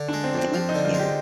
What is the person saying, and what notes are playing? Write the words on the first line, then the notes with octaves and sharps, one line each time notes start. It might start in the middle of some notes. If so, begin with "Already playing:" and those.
Thank you.
Already playing: D3
D4
G#3
C4
F2
C4
F3
D#4
D3
F4
G#3
G4